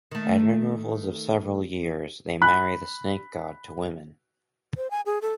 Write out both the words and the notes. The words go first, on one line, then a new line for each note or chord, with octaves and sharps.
At intervals of several years, they marry the snake-god to women.
D#3 A3
B5 F#6
C5
G#5
G#4
A4